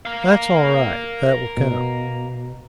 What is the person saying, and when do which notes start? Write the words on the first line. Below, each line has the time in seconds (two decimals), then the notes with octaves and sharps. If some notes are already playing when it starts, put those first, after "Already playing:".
That's all right--that will come.
0.05 A#4 F5
1.57 B2